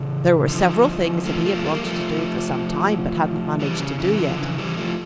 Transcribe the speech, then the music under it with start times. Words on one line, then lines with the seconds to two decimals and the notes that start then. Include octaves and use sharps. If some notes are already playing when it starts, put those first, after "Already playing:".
There were several things that he had wanted to do for some time, but hadn't managed to do yet.
Already playing: C#3 E3
0.48 D3 F3
1.26 F3 A3
1.45 F3 A3
1.56 A3
1.65 G3 A#3
1.84 F3 A3
3.60 E3 G3
3.79 C#3
3.99 C#3 E3
4.18 D3 F3
4.39 C#3 E3
4.58 E3 G3
4.77 F3 A3